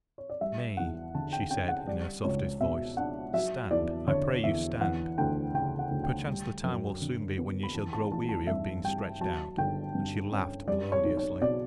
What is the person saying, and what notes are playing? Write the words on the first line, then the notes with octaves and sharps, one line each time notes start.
"Nay," she said in her softest voice, "stand; I pray you stand. Perchance the time will soon be when ye shall grow weary of being stretched out," and she laughed melodiously.
C#5
D5
G3 E5
E2 F#5
D3 A5
G5
C#4 G5
F#5
G3 D5
C#2 C#5
B2 E5
D4 F#5
F#3 E5
E2 D5
D3 C#5
E2 E5
E3 F#5
D2 G5
C#3 G5
F#5
D2
G5
G3
F#2
D3
B3
B5
E3 A5
A5
A1 A5
A5
G2 E5
G3 G5
F#3 A5
G1 G5
G2
C#4
G3 D5
C#5
B1
C#5
B2 D5